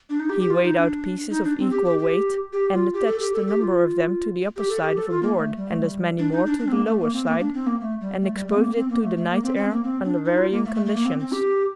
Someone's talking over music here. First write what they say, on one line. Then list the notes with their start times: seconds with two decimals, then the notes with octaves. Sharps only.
He weighed out pieces of equal weight and attached a number of them to the upper side of a board and as many more to the lower side, and exposed it to the night air under varying conditions.
0.10 D4
0.20 D#4
0.29 G4
0.40 G4
0.50 F4
0.64 D#4
0.77 D4
1.30 D#4
1.44 D4
1.58 C4
1.71 G4
1.85 G4
1.99 G4
2.53 G4
2.73 F4
2.94 G4
3.07 A4
3.20 G4
3.33 A4
3.48 G4
3.61 F4
4.56 G4
4.69 A4
4.83 G4
4.96 A4
5.10 F4
5.23 A#3
5.37 A3
5.57 G3
5.71 A3
5.83 G3
6.19 D4
6.32 D#4
6.46 D4
6.59 D4
6.68 C4
6.72 A#3
6.86 A3
7.00 A#3
7.13 C4
7.26 A#3
7.40 D4
7.54 C4
7.66 A#3
7.80 A3
8.01 G3
8.21 A3
8.34 G3
8.48 A3
8.56 C4
8.61 A#3
8.75 C4
8.89 A#3
9.02 A3
9.16 A3
9.29 A#3
9.43 C4
9.56 C4
9.71 A#3
9.83 C4
10.05 D4
10.25 D#4
10.38 F4
10.51 A#3
10.65 A3
10.75 A3
10.86 A3
10.95 A#3
11.05 C4
11.20 C4
11.32 G4